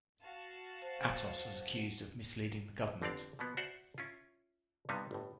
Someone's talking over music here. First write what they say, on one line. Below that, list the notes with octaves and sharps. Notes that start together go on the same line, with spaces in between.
Atos was accused of misleading the government.
F#4 F5 A5
C5
G1 D3 C4 D4 D5 F5
B2 F3 A#3 B3
F#4 C5 D5 E5 F#5
C#4 E4 F4
G2 C3 G3 B3 D#4
G1 A2